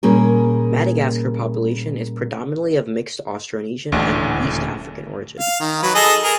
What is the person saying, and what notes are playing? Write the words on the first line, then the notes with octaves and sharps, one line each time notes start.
Madagascar's population is predominantly of mixed Austronesian and East African origin.
A#2 G3 A#3 C#4 G#4 A#4
D#1 A1 D2 D3 A3 D4
F5
D#3
F#3 B4
G#4 A4 D#5
G#4 A#4